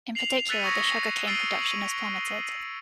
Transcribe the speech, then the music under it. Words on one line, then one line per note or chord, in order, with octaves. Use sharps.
In particular, the sugar cane production has plummeted.
C7 F7 F#7
E6 F#6 A6 B6 C#7 D#7
C#6 D#6 G#6 A#6 C#7
E6 A6 C7 D7 D#7 G7
D#7 F#7